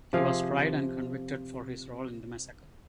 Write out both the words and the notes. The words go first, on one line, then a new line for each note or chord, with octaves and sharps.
He was tried and convicted for his role in the massacre.
C3 F3 G#4 F5